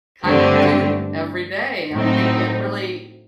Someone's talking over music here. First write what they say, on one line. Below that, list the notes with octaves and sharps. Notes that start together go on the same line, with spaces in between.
kind of do every day, and I think it really
G2 D3 A3 C4 G4
A2 F#3 C4 D#4